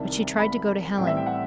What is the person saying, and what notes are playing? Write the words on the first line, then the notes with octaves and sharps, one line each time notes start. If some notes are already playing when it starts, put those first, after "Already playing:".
But she tried to go to Helen.
Already playing: C2 C3 D#3 G3 A5
B5
B5
A1 A2 G3 C4 G5
E5
G5
F#5